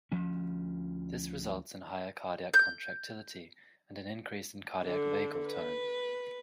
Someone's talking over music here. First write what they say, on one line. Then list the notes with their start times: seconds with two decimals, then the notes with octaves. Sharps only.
This results in higher cardiac contractility and an increase in cardiac vagal tone.
0.12 D2 F3 C#4
2.54 G6
4.86 D3
5.47 B4